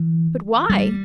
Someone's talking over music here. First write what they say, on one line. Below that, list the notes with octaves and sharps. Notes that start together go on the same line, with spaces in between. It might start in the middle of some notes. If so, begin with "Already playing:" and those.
But why?
Already playing: E3
G3